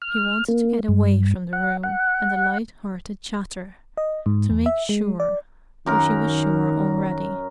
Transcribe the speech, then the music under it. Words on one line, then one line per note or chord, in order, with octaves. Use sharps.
She wanted to get away from the room, and the light-hearted chatter . . . to make sure, though she was sure already.
F6
A#3
G2
F#5
F#5
D#5
G#2
E2
E5
G#3
D5
F#2 D#3 A#4